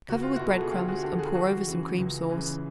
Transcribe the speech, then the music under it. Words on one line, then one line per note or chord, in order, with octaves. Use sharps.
Cover with bread-crumbs and pour over some cream sauce.
C#2 F#4
F4
B2 E4 F#4
A4
G#4
D2 F4 G4
F#4 G#4
D3 G4 A4
F#4 G#4
E2 F#4 G#4
C#3 E3
C#2
C#3 E3